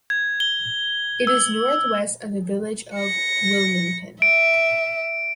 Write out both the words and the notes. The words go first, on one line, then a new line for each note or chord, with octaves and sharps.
It is northwest of the village of Wilmington.
G#6
G7
E6
A#6 C#7
E5 D7